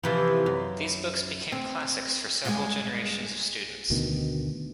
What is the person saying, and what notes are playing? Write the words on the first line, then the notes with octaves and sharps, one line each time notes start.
These books "became classics for several generations of students".
C3 E3 F3
F#2
C4
G2 G#3 F4 G4 F5 G#5
D2 B2 D#3